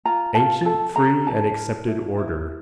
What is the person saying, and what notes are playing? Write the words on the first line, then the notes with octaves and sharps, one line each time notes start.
Ancient free and accepted order.
F4 A#5
F4 A5
A4 A5
A4 A#5
E4 A5
A#4
E4
E4